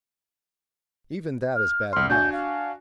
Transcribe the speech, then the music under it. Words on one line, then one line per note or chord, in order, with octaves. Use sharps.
Even that is bad enough.
F6
C2 C6 F6
D4 F#4 G#5 G6
F5